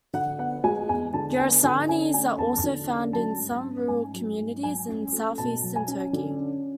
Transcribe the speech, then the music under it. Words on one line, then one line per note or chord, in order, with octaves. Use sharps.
Yarsanis are also found in some rural communities in southeastern Turkey.
D3 F#5
B3 F#5
G#3 G#5
E2 G#5
D3 A5
B3 G#5
D3 G#5
C#4 G#5
A3 G#5
E2 A5
D3
C#4
F#3 A5
G#2
C#4
G#2 G#5
F#3
G#2
F#3 G#5
C#4
A3
B2 A5
F#3
G#5
C#4
D3
C#4